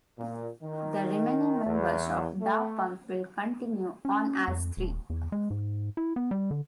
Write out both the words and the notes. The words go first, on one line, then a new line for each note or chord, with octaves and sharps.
The remaining members of Da Pump will continue on as three.
A#2
D#3
E2
A3
C#4
F2
D#1
E2
G#3
G#2
E4
B3
G3
D3